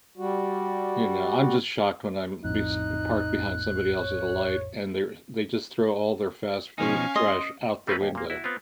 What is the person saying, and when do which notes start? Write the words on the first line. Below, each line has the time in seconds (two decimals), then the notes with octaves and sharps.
You know, I'm just shocked when I'm bes parked behind somebody else's light, and they're they just throw all their fast food trash out the window.
0.18 G3 F#4
2.44 A#1 F2 A2 D#4 F#6
3.93 C#5
6.78 B2 F3 C#4 D#4 F5 G#5
7.16 D#5 C6
7.87 G3 A3 C4 C#4 F4 B4
8.01 D#2
8.15 A#2 A#3
8.30 E4 F#4
8.44 B3 C4 F4